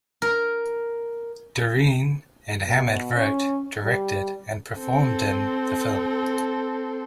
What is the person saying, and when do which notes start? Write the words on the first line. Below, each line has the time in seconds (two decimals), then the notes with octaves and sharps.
Deren and Hammid wrote, directed and performed in the film.
0.22 A#4
2.65 B2
3.15 C#4
3.84 G3
4.79 C4 A4